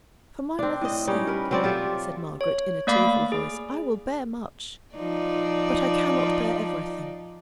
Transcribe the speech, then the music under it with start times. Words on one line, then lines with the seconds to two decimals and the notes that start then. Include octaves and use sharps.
'For my mother's sake,' said Margaret, in a tearful voice, 'I will bear much; but I cannot bear everything.
0.59 C4 D4
0.81 A2 D#5
1.07 G3 C#4 D#4
1.27 A#4 B4
1.51 F#3 C4 D5
1.63 F4 G4 A4 E5
2.41 C#5
2.87 A3 A#3 D5 F5 B5 D6
3.32 G#4
4.95 F3 D#4 D5